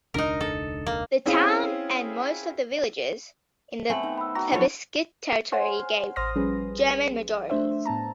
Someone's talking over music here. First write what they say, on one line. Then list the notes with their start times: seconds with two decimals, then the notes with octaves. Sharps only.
The towns and most of the villages in the plebiscite territory gave German majorities.
0.14 E1 C#2 D4 D#4 A#4
0.41 A4
0.87 A#3
1.26 C4 C#4 E4 G#4 F5
3.90 A3 B3 C4 G#5 F#7
4.03 D#3
4.18 B5 E6
4.35 F#4 A#5
4.52 F3 F#3 D4 E4 A4 C#5
5.52 C5 C#5 F#5 G#5 C6 F6
6.16 A1 C5 C6 D#6 F6 A#6
6.35 F3 G3 C#4 G#4 B4
7.50 A3 D4 C5 E5
7.85 A2 B3 A5 A#5